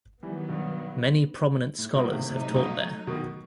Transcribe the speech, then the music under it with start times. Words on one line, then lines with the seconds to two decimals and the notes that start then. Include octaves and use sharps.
Many prominent scholars have taught there.
0.23 D#3 E3 F#3 G3 B3
0.49 G2 B2
1.78 A2
1.95 G2 B2
2.07 D#3
2.12 A2 C3
2.30 A2 C3 F#3 A3 D#4
2.49 A2
2.55 G2 B2
3.07 B2 D#3